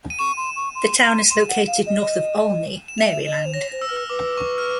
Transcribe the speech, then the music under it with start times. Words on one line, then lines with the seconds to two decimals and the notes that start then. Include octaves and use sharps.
The town is located north of Olney, Maryland.
0.10 D#7
0.19 C#6 E7
0.37 C6
0.56 C#6
0.75 C6
1.03 C6
1.30 C6 E7
1.49 F#5
1.67 F5
1.86 D#5
2.88 E7
2.98 E5 F7
3.26 D#5 E7
3.46 C5
3.54 C#5 A#6
3.72 C5
3.82 E6
3.89 B4 F6
3.97 E6
4.09 B4 D6
4.37 C#6
4.58 F6